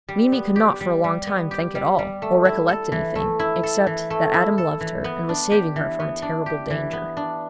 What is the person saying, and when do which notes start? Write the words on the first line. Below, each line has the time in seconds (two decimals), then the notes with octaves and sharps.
Mimi could not for a long time think at all, or recollect anything, except that Adam loved her and was saving her from a terrible danger.
0.09 G3
0.32 B3
0.56 G4
0.81 G3
1.04 G3
1.27 B3
1.51 G4
1.75 G3
1.99 G3
2.22 A3
2.45 E4
2.69 A4
2.92 E3
3.15 A3
3.39 E4
3.63 A4
3.87 E3
4.10 A3
4.34 E4
4.58 A4
4.81 E3
5.04 B3
5.29 D4
5.51 G4
5.76 E3
6.00 B3
6.22 D4
6.46 G4
6.70 E3
6.93 B3
7.17 D4